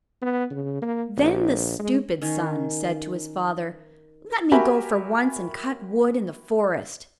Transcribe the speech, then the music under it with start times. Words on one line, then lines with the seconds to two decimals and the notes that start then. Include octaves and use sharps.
Then the stupid son said to his father, "Let me go for once and cut wood in the forest."
0.22 B3
0.51 C#3
0.82 A#3
1.17 A#1
1.79 G#3
2.22 D#3 C#4
4.52 F#4 G4 A#4 E5 G#5 B5